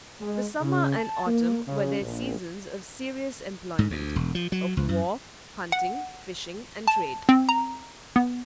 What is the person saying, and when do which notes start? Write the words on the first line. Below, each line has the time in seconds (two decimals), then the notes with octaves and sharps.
The summer and autumn were their seasons of serious employment,--of war, hunting, fishing, and trade.
0.21 G#3
0.61 C#3
0.98 A5
1.26 A#3
1.67 C#3
2.01 A#1
3.79 G#2
3.90 D2
4.16 E1
4.35 F3
4.52 F#3
4.77 C#2
4.89 F#2
5.72 F#5
6.88 A5
7.29 C4
7.49 A#5
8.16 B3